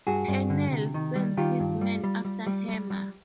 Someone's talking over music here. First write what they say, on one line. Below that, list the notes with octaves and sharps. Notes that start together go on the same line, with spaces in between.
Pennell sends his men after Hammer.
G2 F#4 G#4
G2
D3
C3
D#3
G3
D#3 F4 G4
G2
G3
G3
G3
G3
G3
G3